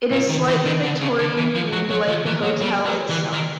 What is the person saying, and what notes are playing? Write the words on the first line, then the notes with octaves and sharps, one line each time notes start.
It is slightly Victorian themed, like the hotel itself.
A#2
D#3
E3
D#3
D3
C#3
D3
E3
F3
F#3
F#3
F3
E3
F#3
G3
F#3
E3
D#3